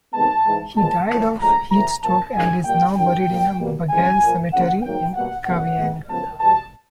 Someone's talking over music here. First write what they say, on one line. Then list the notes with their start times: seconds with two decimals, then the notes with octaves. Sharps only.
He died of heat-stroke and is now buried in Bagail Cemetery in Kavieng.
0.14 C3 D#3 G#3 B3 A5
0.45 G#2 E3 G#3
0.77 A#2 F3 G#3 B3 A5
1.08 A2 F3 A#3 A5
1.39 A2 F3 G#3 A#5
1.70 F#2 C#3 E3 A3 A#5
2.02 A#2 F3 A#3 A5
2.33 F#2 D#3 G#3 G#5
2.64 A#2 G3 A#3 G5
2.95 F#2 D#3 F#3 G5
3.27 A#2 G3 A#3
3.58 B2 G3 A#3
3.89 F2 C#3 E3 G#3 G#5
4.21 A#2 F3 A#3
4.52 C#3 F3 A#3 F#5
4.83 G#2 D#3 F#3 A#3 G5
5.14 B2 G3 A#3 F#5
5.46 F2 C#3 F#3 A#3 F#5
5.77 A2 E3 G#3 B3
6.08 F#2 C#3 F3 G#3 B3 A5
6.39 E2 B2 G3 A5